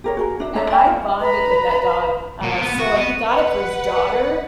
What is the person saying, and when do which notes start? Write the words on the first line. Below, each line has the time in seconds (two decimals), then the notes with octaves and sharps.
and I bonded with that dog, uh, so, uh, he got it for his daughter,
0.04 G4 A#4 C#5
0.17 F#4 G#4 A#4
0.40 D4 E5
0.55 D4 A4 C#5 A#5
0.70 D5 E5 G5 G#5
0.86 F4
1.20 B4 A#5 B5
2.42 A#2
2.61 B3
2.79 F#4
2.97 B3
3.31 B4 F#5